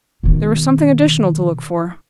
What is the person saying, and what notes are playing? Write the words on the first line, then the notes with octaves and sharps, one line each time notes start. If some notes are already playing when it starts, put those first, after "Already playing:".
There was something additional to look for.
B2 D#3